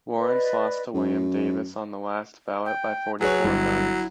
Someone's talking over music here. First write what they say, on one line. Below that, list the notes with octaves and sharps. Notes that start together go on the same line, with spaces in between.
Lawrence lost to William Davis on the last ballot, by forty-four votes.
B4 D5 D#5
F#2
G5
F#3 G#4 B4 C#5
G1 E4